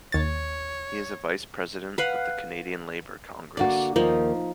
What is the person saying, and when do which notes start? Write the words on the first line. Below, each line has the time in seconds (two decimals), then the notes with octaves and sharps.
He is a vice-president of the Canadian Labour Congress.
0.12 D#2 C#5 A6
1.98 B4 F5 F#5
3.57 D3 A#3 F#4 D5
3.96 D#2 F3 D#4 A#4